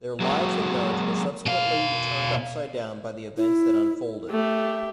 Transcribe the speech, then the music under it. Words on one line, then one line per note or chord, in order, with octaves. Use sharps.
Their lives and marriage were subsequently turned upside down by the events that unfolded.
F#3 G#3 A#3 F#4
B2 F5
E4
A3 G4 E5